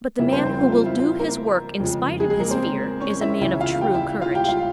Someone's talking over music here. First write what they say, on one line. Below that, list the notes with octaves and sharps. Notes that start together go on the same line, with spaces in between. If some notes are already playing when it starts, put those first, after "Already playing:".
But the man who will do his work in spite of his fear is a man of true courage.
F2 C#3 G3 A#3 E4 E5
C4 C5
C4 C5
F4
F4
E4
F4
A#3 A#4
F2 C#3 F3 G#3
G#3 G#4
G#3 G#4
A#3 A#4
C4 C5
C#4 C#5
E4 E5
C#2 C#3 E3 E4 E5
F4 F5
G4 G5
E4 E5
F4 F5
G4 G5
F4 F5